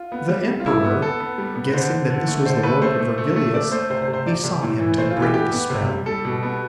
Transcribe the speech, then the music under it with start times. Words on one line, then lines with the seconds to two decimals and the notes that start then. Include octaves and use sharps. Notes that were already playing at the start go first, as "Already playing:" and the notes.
The emperor, guessing that this was the work of Virgilius, besought him to break the spell.
Already playing: F4
0.12 B3
0.29 G3
0.48 G3
0.60 F4
0.66 G3 E4
0.84 B3
1.02 B3 A4
1.20 B3
1.38 G3
1.55 B3
1.73 D3 C5
1.91 D3
2.10 D3
2.28 A3
2.45 D3 C5
2.63 A3 B4
2.82 A3 C5
2.99 A3
3.18 A3
3.36 A3
3.54 A3 D5
3.71 A3 C5
3.90 C3 C5
4.02 C5
4.08 C3
4.13 C5
4.26 F3 D5
4.44 C3
4.62 A2
4.80 E3
4.98 A3 C5
5.10 F4
5.16 E3
5.22 G4
5.34 B3 G4
5.52 B3
5.70 C3
5.88 G3
6.06 G3 A4
6.25 B2
6.43 B3